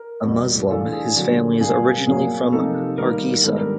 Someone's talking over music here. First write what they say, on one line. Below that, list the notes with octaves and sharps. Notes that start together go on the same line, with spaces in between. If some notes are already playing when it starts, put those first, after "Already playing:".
A Muslim, his family is originally from Hargeisa.
Already playing: A#4
E2 B2 G3
E3 A3 D4 F4 A4
G#4
D3 F#3 A3
A#2 G3 A#3 G#4
A#2 F#3 A#3 G#4
C3 F3 A#3 D#4 A4
D#3 G3 A#3 D#4 A#4
G#2 D#3 G3 B3 D4 A4
A#4